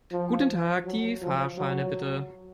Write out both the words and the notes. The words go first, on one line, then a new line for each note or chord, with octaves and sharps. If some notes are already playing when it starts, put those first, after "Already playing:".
Guten Tag, die Fahrscheine bitte.
F3
F#3
F3
F#3